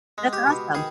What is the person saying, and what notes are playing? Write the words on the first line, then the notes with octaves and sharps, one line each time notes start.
That's awesome,
G#3
G4
B2
D#3 G#4